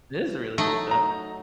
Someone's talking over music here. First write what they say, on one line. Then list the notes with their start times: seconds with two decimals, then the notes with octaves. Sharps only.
This is really cool stuff.
0.58 F#3 A3 D#4
0.91 A#5